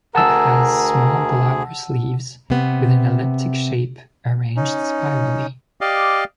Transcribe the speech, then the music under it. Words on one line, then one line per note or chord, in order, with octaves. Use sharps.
It has small glabrous leaves with an elliptic shape, arranged spirally.
D2 G#4 A#4 F#5 A5 E6
C3 B3
C#4 D#4
G4 D5 D#5 F5